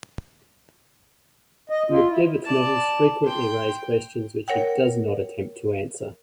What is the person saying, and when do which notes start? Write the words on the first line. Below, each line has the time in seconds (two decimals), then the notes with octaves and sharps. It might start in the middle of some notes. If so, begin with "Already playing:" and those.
McDevitt's novels frequently raise questions which he does not attempt to answer.
1.70 D#5
1.90 F4
2.09 E4
2.45 D5 A5
3.25 G5 C6
4.48 A#4 C#5 F#5 G5